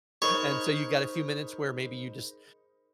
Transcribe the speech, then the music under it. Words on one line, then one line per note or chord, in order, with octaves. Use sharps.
And so, you got a few minutes where maybe you just
D#4 G#4 A#4 C5 C#5 B5